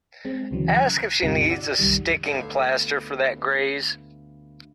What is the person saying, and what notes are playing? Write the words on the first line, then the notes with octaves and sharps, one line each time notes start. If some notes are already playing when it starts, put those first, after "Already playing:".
Ask if she needs a sticking plaster for that graze.
G#3 C4
D2 C#3 E3 F#3
A#5 F#6 G#6
D2 G2 C3 D#4 F4 G4
D5 F#5 E6
C2 F#2 D#3 G3
D2 B3 A4 E5 F5